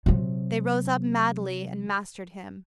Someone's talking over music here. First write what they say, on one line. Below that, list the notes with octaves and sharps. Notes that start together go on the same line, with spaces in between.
They rose up madly and mastered him.
C3 F#3